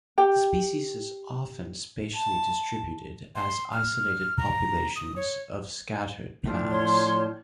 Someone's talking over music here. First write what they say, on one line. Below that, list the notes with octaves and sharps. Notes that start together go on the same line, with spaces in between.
The species is often spatially distributed as isolated populations of scattered plants.
G4 G5
A5
C6
F6
A#5
D#6
C#5
A2 F3 D4
C#5 C6